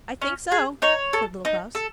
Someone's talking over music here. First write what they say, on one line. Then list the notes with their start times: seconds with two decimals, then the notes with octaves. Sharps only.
I think so,' said Little Klaus.
0.22 C#4
0.52 G#4
0.82 D#4 C#5
1.13 A4
1.45 D#4
1.75 A4